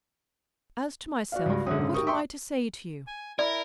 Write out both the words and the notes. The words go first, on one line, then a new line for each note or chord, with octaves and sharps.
As to myself, what am I to say to you?
F#4 D5 F5
C#2 G2
F#2 D3 G#3 E5 D#6
G#2 C#3
G4 A#4 C#6 D#6
E5 G5 C6 C#6
G#5
E4 A#4 D5